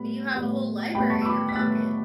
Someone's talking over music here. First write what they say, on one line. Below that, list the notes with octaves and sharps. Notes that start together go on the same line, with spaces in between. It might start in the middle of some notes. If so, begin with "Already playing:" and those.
Do you have a whole library in your pocket?
Already playing: A2 G3 B3 B5
A2 G3 B3
A2 G3 B3 G5 B5
A5 C#6
E6
B5 D6
B6
A2 G3 B3 F#6 A6